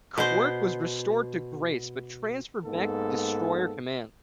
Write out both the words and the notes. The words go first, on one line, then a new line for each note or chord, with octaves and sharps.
Quirk was restored to grace, but transferred back to destroyer commands.
B2 C5
G#2 A#3 B3 A4